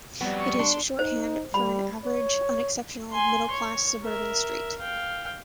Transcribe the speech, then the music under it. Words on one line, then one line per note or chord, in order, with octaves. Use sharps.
It is shorthand for an average, unexceptional, middle-class suburban street.
F2 F#3 G3 B3
C#6
D4 C6
D#4 C5
G3 B5
C#5
G#5 C6
C#5
A#4 E5
F5 G5